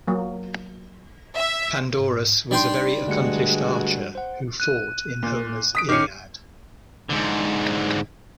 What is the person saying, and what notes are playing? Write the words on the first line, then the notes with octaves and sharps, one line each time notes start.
Pandorus was a very accomplished archer who fought in Homer's "Iliad".
F#3 A#3
E5
G#2
G3 D4 D#4 G5 C6
G2 D3 G#3 A3 F#4 C#7
C5 F#5
F#6 D#7
A#2
D#6 B6 D7
D#3 C#4 D6 C7 C#7
G#2 D3